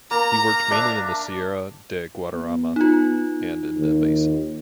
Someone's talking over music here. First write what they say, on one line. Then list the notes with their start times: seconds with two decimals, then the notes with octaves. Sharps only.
He worked mainly in the Sierra de Guadarrama and in the basin.
0.11 A#3 A#5
0.71 D4 E5 D6
2.34 B3
2.76 D#4 F4
3.76 D#2